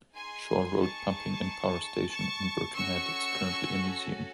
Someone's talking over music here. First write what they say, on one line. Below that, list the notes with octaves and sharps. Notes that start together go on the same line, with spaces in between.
Shore Road pumping and power station in Birkenhead is currently a museum.
D#4 G#4 G#5 C6
A5 C#6
A5 C#6
C#4 F#4 A4 C#6 E6